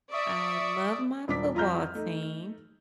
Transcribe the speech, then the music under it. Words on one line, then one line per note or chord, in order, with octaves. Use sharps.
I love my football team.
D5 E5 C#6 D#6
D#1 D4 D6 B6
F2 F4 A#5 F6 G6
A3 D#4